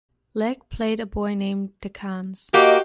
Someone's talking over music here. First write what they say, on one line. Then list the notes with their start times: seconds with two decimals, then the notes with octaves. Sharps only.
Leach played a boy named Decenz.
2.54 A#3 F#4 G4 D#5